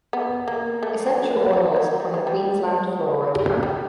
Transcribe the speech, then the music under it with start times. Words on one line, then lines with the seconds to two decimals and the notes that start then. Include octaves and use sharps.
Essential oils from the Queensland flora.
0.13 B3
0.48 A#3
0.83 A3
1.07 F#3
1.30 F3
1.53 F3
1.76 F#3
2.00 G3
2.14 G#3
2.27 G3
3.63 G3